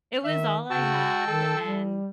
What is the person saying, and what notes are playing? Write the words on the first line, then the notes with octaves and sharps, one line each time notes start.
It was all I had, and
D#3 E5
C#3 F#4 G5 A5 E6
D#3 A4
G3